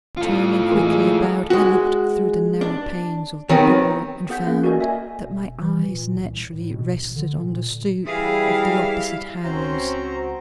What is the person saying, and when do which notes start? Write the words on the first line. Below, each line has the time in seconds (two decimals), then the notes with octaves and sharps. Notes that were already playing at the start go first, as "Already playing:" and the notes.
Turning quickly about, I looked through the narrow panes of the door, and found that my eyes naturally rested on the stoop of the opposite house.
0.17 A2 F4 A4
0.71 E3 G#3 A3
1.50 G#3 F#4
2.61 D4
3.49 D#3 F#3 B3 C4
4.29 B3 G#4 F#5 G6 B6
4.47 A#3 C#4
4.64 F#4 A4 A#4 D5 D#5 G#5
4.81 E5 G#5 A#6
5.21 E1
5.61 E3
5.88 A#2
6.15 C2
6.51 A2
6.73 B2
6.92 A#1
7.16 D3
7.37 A#2
8.06 E3 G3 E4 G#4 F5
9.44 C#2 C4 C#4 F#4 C5 A#5